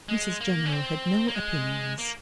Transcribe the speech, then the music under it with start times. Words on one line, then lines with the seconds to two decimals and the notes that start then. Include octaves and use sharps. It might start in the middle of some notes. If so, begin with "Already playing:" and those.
Mrs General had no opinions.
0.09 G#3
0.41 A#3
0.66 C#4
0.72 C4
1.28 A#3
1.35 G#3
1.99 A#3